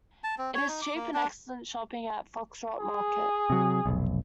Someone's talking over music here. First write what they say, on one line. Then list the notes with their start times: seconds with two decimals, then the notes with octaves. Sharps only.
There is cheap and excellent shopping at Foxrock market.
0.24 A5
0.38 C4
0.54 C#5
0.68 D#4
0.82 D6
0.95 A#3
1.14 D4
2.79 G#4
3.50 C3 F#3
3.86 F1 B1